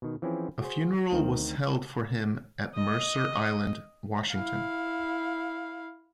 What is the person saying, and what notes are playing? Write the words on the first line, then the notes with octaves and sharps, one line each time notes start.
A funeral was held for him at Mercer Island, Washington.
B2 D#3
E3 F3 C4 C#4 E4 G#4
F#4 G#4 C5
D2 D#3 C4 A#4
D#5
E4 F5